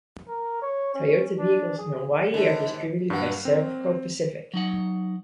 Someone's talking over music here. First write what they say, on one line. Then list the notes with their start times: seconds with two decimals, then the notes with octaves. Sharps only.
Toyota vehicles in Hawaii are distributed by Servco Pacific.
0.28 A#4
0.62 C#5
0.94 C#4
1.39 D4
1.78 G#4
2.34 D#2 G#2 D3
3.10 G2 F#3 A#3 F#5
3.45 C4
4.53 F#3 D#4 F#5